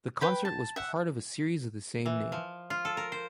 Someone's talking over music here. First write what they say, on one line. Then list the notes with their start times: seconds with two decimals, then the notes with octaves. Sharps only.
The concert was part of a series of the same name.
0.21 B4 G5 B5
0.45 A5
0.76 E5 F#5
2.06 E3
2.32 F3
2.70 F4
2.85 A4
2.97 A#4
3.12 C5